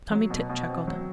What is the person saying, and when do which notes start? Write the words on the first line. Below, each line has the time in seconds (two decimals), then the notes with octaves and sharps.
Tommy Tit chuckled.
0.11 F#3
0.30 B2
0.49 B2
0.68 C4
0.87 F#3